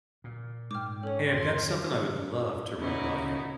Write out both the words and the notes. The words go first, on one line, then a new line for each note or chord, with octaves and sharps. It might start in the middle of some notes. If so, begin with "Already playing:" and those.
Hey, I've got something I would love to run by you.
A#2
G#2 G5 D6 F6
C#4 A4 C#5
F2 C6
A#2 C#3 C#4 D#4 E4 F#4